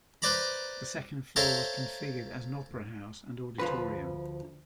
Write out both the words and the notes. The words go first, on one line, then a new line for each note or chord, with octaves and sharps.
The second floor was configured as an opera house and auditorium.
B4 C5 D5 A#5 B5
A4 A#4 C5 C#5 E5 F5
D2 F3 B4